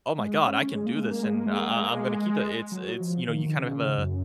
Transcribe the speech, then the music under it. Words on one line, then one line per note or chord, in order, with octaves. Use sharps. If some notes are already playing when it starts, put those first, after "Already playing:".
"Oh my God, I can do this and I I I'm gonna keep it." It's it's, you know, you kinda have a
G#3
C#4
G#3
A#3
G#3
A#3
G#3
A#3
G#3
A#3
G#3
A#3
G#3
F#3
F3
D#3
D#3
C#3
F#2